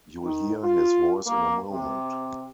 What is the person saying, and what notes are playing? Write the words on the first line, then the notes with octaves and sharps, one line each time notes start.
You’ll hear his voice in a moment.
D#3
F4
A#3
C3